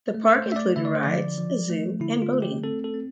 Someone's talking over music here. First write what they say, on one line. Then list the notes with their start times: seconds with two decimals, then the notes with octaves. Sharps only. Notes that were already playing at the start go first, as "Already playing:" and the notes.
The park included rides, a zoo, and boating.
0.14 A3
0.35 C5
0.46 A3
0.52 E5
0.56 D5
0.76 D3 E5
0.85 D5
0.95 C5
1.03 F3 D5
1.38 F3
1.70 A3
2.00 D3 E4
2.22 F4
2.33 A3
2.42 G4
2.63 C4 A4
2.84 A4
2.94 C4